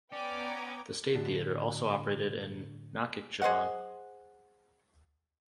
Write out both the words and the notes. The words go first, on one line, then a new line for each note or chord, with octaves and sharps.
The State Theater also operated in Nakhichevan.
B3 C#4 B4 D5 G5 A#5 D6 G#6
A2 D3 D4 F#4
G#4 C5 D#5 F#5